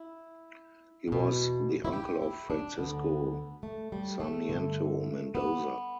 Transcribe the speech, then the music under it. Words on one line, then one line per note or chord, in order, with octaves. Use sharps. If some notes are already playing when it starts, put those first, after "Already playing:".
He was the uncle of Francisco Sarmiento Mendoza.
Already playing: E4
E2 B2
E4
G4
E4
D4
D2 D3 B3
A3
G3
A3
G2 D3
B3